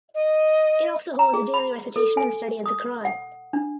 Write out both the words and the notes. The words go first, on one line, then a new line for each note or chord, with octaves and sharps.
It also holds daily recitation and study of the Quran.
D#5
A#5
G#4
B5
A4
G#5
D#6
F#5
D4